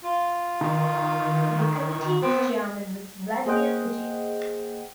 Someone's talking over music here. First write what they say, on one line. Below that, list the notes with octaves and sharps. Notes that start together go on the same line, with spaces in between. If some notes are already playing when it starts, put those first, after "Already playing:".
The committee's chairman was Vladimir Putin.
F4
D#3
D#3
B3 C4
A#3 G#4 C5 D#5 F#5 G5